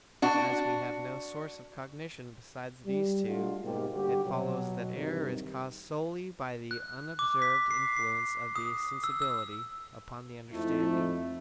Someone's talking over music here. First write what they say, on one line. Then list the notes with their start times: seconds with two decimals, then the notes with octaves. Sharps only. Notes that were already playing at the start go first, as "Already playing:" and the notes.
But, as we have no source of cognition besides these two, it follows that error is caused solely by the unobserved influence of the sensibility upon the understanding.
0.22 D4 F#4
2.86 G3
3.26 G#3 A3 D4 F4 F#4
3.64 G#2 B2 A#3 G4
3.94 D3 G3 F#4 G4
4.25 B2 F#3
4.97 G2 C3 D#3
6.71 F#6
7.19 D6
7.42 B6
7.71 C7
7.96 C7
8.56 D#6
9.04 E6
9.22 E6
10.52 F2 G#2 A3 D#4 E4